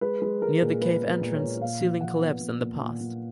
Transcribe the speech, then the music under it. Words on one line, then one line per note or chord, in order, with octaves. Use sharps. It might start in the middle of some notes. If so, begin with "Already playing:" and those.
Near the cave entrance ceiling collapsed in the past.
G#3 B4
G#3
G#3 A#4
A#2
G#3 B4
B3
B4
A#2
C#5
A#2
A#2 F5
F3
A#2 F#5
B3
A#2
A#2
A#2
A#2